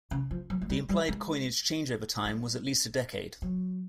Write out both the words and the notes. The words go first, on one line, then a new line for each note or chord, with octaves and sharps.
The implied coinage changeover time was at least a decade.
C#3
F3
F#3
G#3
G3
G3
G#3
G3
F#3